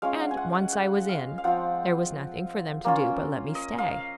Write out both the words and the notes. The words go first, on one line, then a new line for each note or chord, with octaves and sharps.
And, once I was in, there was nothing for them to do but let me stay.
G#3 C#4 F4 F5
F#5
G#5
F#5
F#5
F#5
F5
F5
F3 C4 F4 F#5
A#3 C#4 F4
D#5
F5